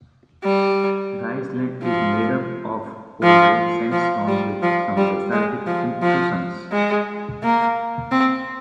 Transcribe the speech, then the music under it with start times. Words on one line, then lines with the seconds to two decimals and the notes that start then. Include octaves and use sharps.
The island is made up of Old Red Sandstone with some basaltic intrusions.
0.44 G3
1.83 F3
3.23 F3
3.92 F3
4.28 G3
4.62 F3
4.97 G3
5.32 G#3
5.67 F3
6.02 F3
6.72 G#3
7.43 A#3
8.12 C4